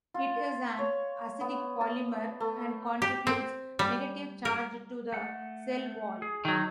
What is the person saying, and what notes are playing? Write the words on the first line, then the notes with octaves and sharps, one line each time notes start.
It is an acidic polymer and contributes negative charge to the cell wall.
F4
C#5
B3
A5
A3
G4
C4
G3
A#4
A3 F#5
G#4
D#3 F#3